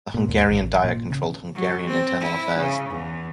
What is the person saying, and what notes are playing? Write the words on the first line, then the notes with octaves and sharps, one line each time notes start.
The Hungarian Diet controlled Hungarian internal affairs.
A#2
D#2
A1
A#2
C#3
F#3
C4
E4
C#3
E2